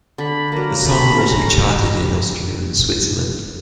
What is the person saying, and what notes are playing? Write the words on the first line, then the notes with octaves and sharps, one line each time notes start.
The song also charted in Austria and Switzerland.
D3 B5
F#3 A#3 A#5
A3 B5
C#4 F#4 A#5
G3